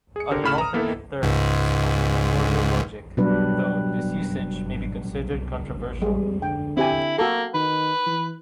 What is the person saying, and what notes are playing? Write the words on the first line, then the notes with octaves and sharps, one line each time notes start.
An alternate term is combinatorial logic, though this usage may be considered controversial.
G#4 C#7
D3 G4 A#4
A2 C#3 B5 F6 E7
A#5 D#6
A#3 B3 E4 A4
C#2 G#2
B2 F#3 G3 D4 B4
G3 G#3
D3 G5
C4 E4 G4 G#5
A#3 F#4 A4
D#3 B4
E3